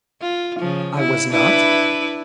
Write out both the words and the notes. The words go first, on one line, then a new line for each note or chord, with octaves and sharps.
I was not.
F4
C#3 F3
E4
D4 E4 B4